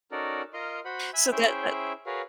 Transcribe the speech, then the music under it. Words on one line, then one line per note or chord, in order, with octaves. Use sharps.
so that that
C#4 D#4 F#4 A4 A#4 D5
F4 A#4 D#5 A#5 C6
F#4 C5 F#5 B5
E5 G#5 B5
C#4 E4 G#4 C5 E5 G5
F#4 G#4 A#4 B4 C#5 F5